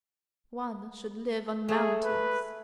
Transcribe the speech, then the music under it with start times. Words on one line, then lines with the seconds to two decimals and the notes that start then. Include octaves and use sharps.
One should live on mountains.
1.68 A3 G#4
2.04 B4